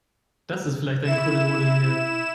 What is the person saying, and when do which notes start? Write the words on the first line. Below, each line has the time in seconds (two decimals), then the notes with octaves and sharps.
Das ist vielleicht ein Kuddelmuddel hier.
1.04 E4 E7